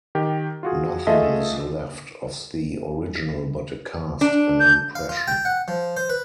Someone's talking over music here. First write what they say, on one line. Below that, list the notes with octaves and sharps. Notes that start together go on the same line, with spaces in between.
Nothing is left of the original but a cast, an impression.
D#3 G4
F4 F#4 G#4
A3 F4 G#4 A4 D#5 E5
D4
G6
F5
F4
G5
F#5
F3
C5
B4